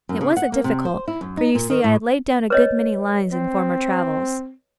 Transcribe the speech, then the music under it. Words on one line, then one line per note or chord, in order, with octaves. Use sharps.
'It wasn't difficult, for you see I had laid down a good many lines in former travels.
F#2
C#3
F#5
A#3
C3
C5
E4
F#2
D#4
A#2
D#3
A2
B4 C#5 D#5
C4